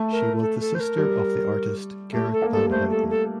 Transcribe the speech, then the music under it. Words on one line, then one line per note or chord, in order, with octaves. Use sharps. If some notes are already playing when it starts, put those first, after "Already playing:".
She was the sister of the artist Gerrit van Houten.
Already playing: A3
A#4
A4
A4
C5
A#4
G3
A3 G4
A4
A#3
G3 A4
A3 C5
A4
A4